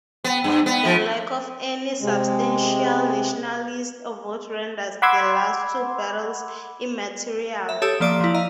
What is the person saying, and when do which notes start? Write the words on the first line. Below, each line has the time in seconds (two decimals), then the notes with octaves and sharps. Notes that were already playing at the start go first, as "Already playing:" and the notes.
The lack of any substantial nationalist vote renders the last two battles immaterial.
0.24 B3
0.44 G2
0.66 B3
0.85 F3
2.01 C3 G#3
5.02 F#5 B5 C6 D6 E6 G#6
7.69 E5
7.82 G4 A4 C#5 A5 D#6 E6
8.00 F3 A#3 D5 D6 D7
8.21 F3 E4
8.34 D#5 F5 A#5